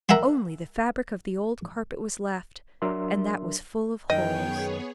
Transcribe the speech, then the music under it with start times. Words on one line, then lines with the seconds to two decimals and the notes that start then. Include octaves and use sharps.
Only the fabric of the old carpet was left--and that was full of holes.
0.09 A#4 E5 F#5 G#5 C6
2.82 F#3 D4 A#4 E5 C6
4.10 F#2 D#3 B3 G#4 C#5 D#5 G5